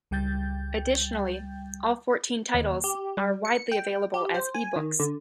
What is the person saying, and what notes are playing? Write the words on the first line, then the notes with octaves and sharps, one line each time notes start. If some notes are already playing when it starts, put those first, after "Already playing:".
Additionally, all fourteen titles are widely available as ebooks.
C#2 G3 G5 G6 A6
D#2
G4
G3
C#7
G5
G4
C5
G#5
D#3
D3